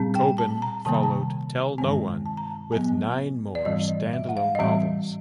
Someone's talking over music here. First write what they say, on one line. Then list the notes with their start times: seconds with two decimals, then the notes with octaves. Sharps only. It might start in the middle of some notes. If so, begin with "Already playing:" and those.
Coben followed "Tell No One" with nine more stand-alone novels.
Already playing: A#2 G3 C4
0.15 G5
0.38 A5
0.62 A#5
0.85 C3 D#3 G3 A#3 A5
0.94 A#5
1.03 A5
1.78 G2 D#3 G#3 C4 G#5
2.26 A5
2.37 A#5
2.48 A5
2.72 A#2 F#3 B3 G#5
3.55 D5
3.65 G#2 E3 G3 C4 D#5
3.89 D#5
4.13 E5
4.29 F#5
4.37 F5
4.55 D#5
4.59 A2 E3 G3 C4 E5